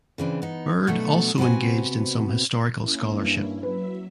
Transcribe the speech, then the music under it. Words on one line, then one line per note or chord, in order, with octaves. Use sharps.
Bird also engaged in some historical scholarship.
C#3 E3 C4 D4
B3 D#4
B2 F#3 A3 B3 D4 F#4
C3 B3 C4 F#4 G#5
A#3 C#4 E4
G2
F#3 B4 E5